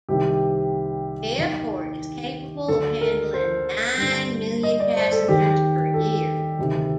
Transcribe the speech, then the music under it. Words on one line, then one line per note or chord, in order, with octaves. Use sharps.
The airport is capable of handling nine million passengers per year.
C2 C3 D#3 G4
D#2 D#3
D2 D3 A4
A#4
C5
G2 D3
D#5
D5
C5
A4
D#2 D#3 G4
A4
D2 C3 D#3